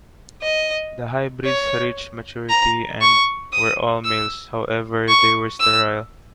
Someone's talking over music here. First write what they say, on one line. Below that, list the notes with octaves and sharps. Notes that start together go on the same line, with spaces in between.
The hybrids reached maturity and were all males, however they were sterile.
D#5
C#5
A#5
C#6
D#6
E6
C#6
E6